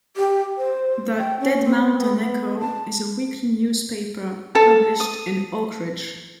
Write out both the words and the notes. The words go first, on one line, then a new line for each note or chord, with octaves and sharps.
The "Dead Mountain Echo" is a weekly newspaper published in Oakridge.
G4
C5
G5
C#4
C4
B3
B3
A5
A4 A5
D#6